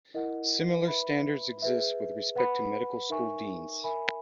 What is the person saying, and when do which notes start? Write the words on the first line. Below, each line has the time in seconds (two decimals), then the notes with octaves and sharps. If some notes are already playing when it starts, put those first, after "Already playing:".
Similar standards exist with respect to medical school deans.
0.14 E4 A#4 D#5 F#5
0.88 B4 E5 B5
1.62 G#4 B4 E5
2.35 B4 F#5 B5
3.09 D#4 A#4 E5 G#5 C#6
3.84 A#4 E5 G#5 B5